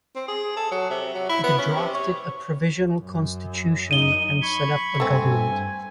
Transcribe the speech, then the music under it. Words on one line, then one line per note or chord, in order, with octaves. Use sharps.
It drafted a provisional constitution and set up a government.
C4
G#4
A4
F#3
C3
F#3
E4
B3
C#4
C3
C#5
F#2
F#2 D#4 D#7 G7
B5 C#6 G#6
G2 A3 C4 G#5